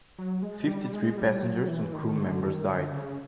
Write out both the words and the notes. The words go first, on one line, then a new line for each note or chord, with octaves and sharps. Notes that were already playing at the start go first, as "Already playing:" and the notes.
Fifty-three passengers and crew members died.
F#3
G#3
G3
G#3
G3
F#3
E3
D#3
D3
D#3
D3
C#3